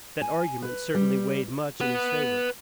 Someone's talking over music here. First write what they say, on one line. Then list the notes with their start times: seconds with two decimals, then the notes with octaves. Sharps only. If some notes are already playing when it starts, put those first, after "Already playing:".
That argument certainly weighed much in his favor.
0.21 G#5
0.62 B4
0.94 G3
1.81 B4 F#5